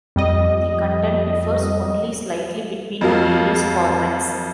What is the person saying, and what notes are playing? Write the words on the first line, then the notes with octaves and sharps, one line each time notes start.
The content differs only slightly between the various formats.
F2 G3 D#5
F2 F3 F#3 A#3 F5